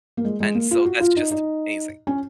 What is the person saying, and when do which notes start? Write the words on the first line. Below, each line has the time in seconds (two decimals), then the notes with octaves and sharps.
and so, that's just amazing.
0.17 A#3
0.24 G#3
0.40 G#3
0.55 A#3
0.71 F4
0.85 F#4
1.00 F4
1.17 D#4
1.31 D#4
2.07 C#4